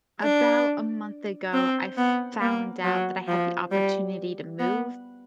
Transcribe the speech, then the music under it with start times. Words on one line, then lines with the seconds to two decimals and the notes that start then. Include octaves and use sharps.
about a month ago, I f found out that I had the opportunity to move,
0.23 D4
1.54 C4
1.97 B3
2.41 A#3
2.84 F#3
3.28 F3
3.71 G3
4.59 B3